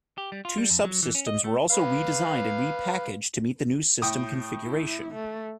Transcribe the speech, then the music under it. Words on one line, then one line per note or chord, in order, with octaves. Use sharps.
Two subsystems were also re-designed and re-packaged to meet the new system configuration.
G4
G3
F4
G3
F2
F#3
E3
C#4
D#5
A3
B4 F5
A2 G5 D#6
E4
A3